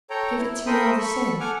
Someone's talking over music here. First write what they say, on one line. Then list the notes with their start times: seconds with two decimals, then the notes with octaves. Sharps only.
"Give it to me all the same."
0.10 A4 C#5 G5 A#5
0.38 E4
0.67 A4 A#4 C5 G5 B5 D#6
0.98 A4 B5 C#6
1.40 A4 F#5 G#5 D6 F6